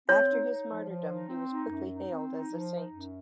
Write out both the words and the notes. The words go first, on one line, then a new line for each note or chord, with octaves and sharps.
After his martyrdom, he was quickly hailed as a saint.
C4 C#5
D#4
D#4
F3
F3
D#4
C4
D#4
F#2
D#4
C4
D#4
F3
D#4
F#2